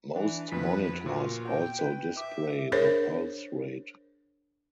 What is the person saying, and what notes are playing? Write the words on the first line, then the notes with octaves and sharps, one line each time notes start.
Most monitors also display the pulse rate.
E3 D4
F2 F3 B4 B6
A#2 F4 F#4
G5
B4
E5 D6
D4 G#4 A#4 C5 C#5